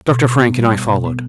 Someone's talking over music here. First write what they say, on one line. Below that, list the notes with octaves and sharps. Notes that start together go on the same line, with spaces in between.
Dr. Frank and I followed.
B2
B2
B3
G3
B2
B2
B3